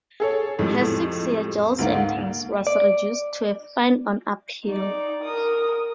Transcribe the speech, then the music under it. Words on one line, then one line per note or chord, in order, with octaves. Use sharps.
Her six-year jail sentence was reduced to a fine on appeal.
G#4 A4 C#5
F2 A2 G3 G#3
D2 G#2 A#3
D5
D#4 D5
A#4 D#6